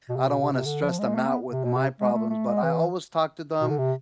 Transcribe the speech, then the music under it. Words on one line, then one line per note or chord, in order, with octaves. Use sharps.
I don't wanna stress them out with my problems, but I always talk to them,
B2
C3
B2
C3
C3
D3
F3
G#3
A3
B3
C3
B2
C3
G#3
A3
A3
G#3
E3
B2
D3
C3